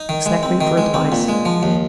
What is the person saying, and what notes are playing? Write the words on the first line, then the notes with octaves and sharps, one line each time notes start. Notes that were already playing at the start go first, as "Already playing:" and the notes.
McSnagley for advice.
Already playing: D#4
D#3
G#3
C4
D#3
G#3
C4
A#2
G#3
F3
D#2